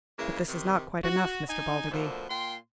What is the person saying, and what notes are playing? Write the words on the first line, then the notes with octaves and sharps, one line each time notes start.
But this is not quite enough, Mr. Balderby.
C#3 E3 G#3 A#3 E4
C3 D#3
F#4
D#4 G#5
B2 D3 F3 A3 A#3
A#2 G5 C6